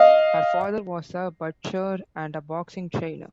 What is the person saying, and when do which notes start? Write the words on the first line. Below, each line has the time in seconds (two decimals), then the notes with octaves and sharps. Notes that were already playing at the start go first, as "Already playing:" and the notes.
Her father was a butcher and a boxing trainer.
Already playing: D#5 F5